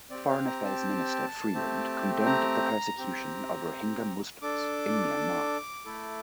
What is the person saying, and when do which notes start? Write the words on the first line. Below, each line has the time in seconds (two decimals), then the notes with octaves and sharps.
Foreign affairs minister Freeland condemned the persecution of Rohingya Muslims in Myanmar.
0.10 C4 G4 D5
0.28 F5
0.46 A#5
0.64 A5
1.54 A3 C4 G4
2.26 A#5
2.98 C4 G4
4.42 D4 A4 D6
5.86 A3 E4 A4